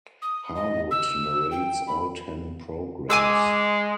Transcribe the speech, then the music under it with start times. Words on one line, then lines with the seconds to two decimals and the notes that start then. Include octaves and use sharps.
Harwood narrates all ten programmes.
0.22 D#6
0.55 D#5
0.91 E6
1.51 G5
1.87 B5
3.10 G#3 G#5 D6 E6